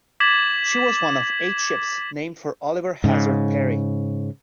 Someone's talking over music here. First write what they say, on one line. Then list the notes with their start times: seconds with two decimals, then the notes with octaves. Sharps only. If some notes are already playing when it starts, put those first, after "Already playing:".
She was one of eight ships named for Oliver Hazard Perry.
0.20 D6 G#6 A6 B6 E7 F#7
3.04 G#2 C#3